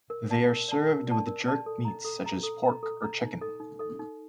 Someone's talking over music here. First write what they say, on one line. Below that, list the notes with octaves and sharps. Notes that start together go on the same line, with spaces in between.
They are served with jerked meats such as pork or chicken.
A#4
D5 A5
A#4
D5 A5
A#4
D5 A5
A#4
D5 A5
A4
D#5 A#5
A4
D#5 A#5
A4
D#5 A#5
A4
D#5 A#5
D#4
A4 D#5
D#4
A4 D#5
D#4